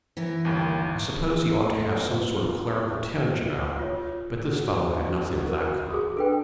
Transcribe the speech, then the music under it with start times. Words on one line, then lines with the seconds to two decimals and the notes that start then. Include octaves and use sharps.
"I suppose he ought to have some sort of clerical tinge about him; but this fellow had nothing of that kind."
0.17 E3 B3 A#4
0.45 G1 D#2
1.61 A#2 A3
2.01 B3 F4 C5
3.79 F4 C#5
4.49 F#4
5.49 A#4
5.90 G#4 D#6
6.17 D4 A4 B4 G5